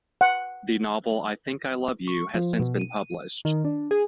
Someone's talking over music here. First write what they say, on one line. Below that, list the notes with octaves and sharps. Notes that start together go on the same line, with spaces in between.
The novel "I Think I Love You" has since been published.
F#5
C#6
F3
B2
D#7
D#3
D4
G#4